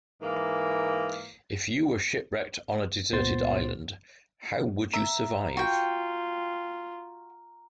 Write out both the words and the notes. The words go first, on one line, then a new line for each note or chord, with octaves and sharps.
If you were shipwrecked on a deserted island, how would you survive?
G#2 E3 A#3
C#2 A#2 B3 C5 C6 A6
E5 A#5
F4 F#4 G5